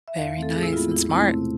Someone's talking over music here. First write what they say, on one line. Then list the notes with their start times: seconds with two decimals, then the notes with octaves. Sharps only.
Very nice and smart.
0.08 E5
0.16 E2 F5
0.35 D3 A3 C4
0.43 A4
0.54 A2 G#4
0.63 E4
0.73 G#3 F4
0.77 B3
0.91 E2 E4
1.10 B2 A3 C4 E4
1.29 C3